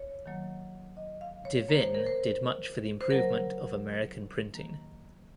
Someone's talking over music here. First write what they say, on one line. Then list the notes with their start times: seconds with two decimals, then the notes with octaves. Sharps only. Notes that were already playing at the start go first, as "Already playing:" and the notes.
De Vinne did much for the improvement of American printing.
Already playing: C#5
0.26 D#3 F#3 A#3
0.97 D#5
1.21 F5
1.45 C#5
1.68 D#3 A#3 C#5
1.81 C5
1.95 A#4
2.06 C5
3.01 C5
3.10 C#3 F#3 A#3 A#4
4.54 D#3 A#3